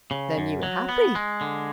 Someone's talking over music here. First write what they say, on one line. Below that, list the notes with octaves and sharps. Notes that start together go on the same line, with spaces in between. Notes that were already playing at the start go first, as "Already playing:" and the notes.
"Then you were happy."
C#3
F#2
F#3
B3
G#3
D3